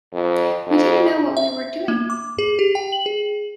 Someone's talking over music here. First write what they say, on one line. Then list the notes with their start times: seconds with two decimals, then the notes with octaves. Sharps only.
We didn't know what we were doing.
0.13 F2
0.67 F2
1.37 E5
1.88 A#3
2.10 D6
2.38 G#4
2.59 G4
2.75 G5
2.92 F#7
3.06 G#4